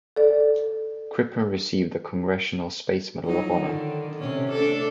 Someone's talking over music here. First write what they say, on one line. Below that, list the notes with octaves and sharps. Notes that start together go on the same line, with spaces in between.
Crippen received the Congressional Space Medal of Honor.
A4 D5
F3 F#3 D#4
D3 D#3
C3 C#4
A3 D4 A4